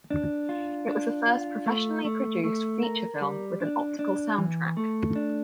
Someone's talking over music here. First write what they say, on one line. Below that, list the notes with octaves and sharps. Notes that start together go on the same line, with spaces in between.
It was the first professionally produced feature film with an optical sound track.
D4
F4
D4
F4
A3
A3
A3
A#4
G3
D4
D4
E3
A3
D4